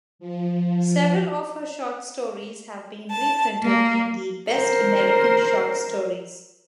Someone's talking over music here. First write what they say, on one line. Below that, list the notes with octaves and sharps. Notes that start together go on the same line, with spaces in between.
Several of her short stories have been reprinted in "The Best American Short Stories".
F3
A5
A#3
A#4 C5